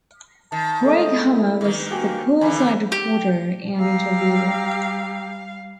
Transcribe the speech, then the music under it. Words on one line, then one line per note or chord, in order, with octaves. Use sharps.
Craig Hummer was the poolside reporter and interviewer.
D#3 A5
G#3 A3 D#5
E4
G2 D#3
A#3 F#4 G4 G#5
E2 D3 D#3 G#5 B5
G4
G3 G4 F5 A#5 E6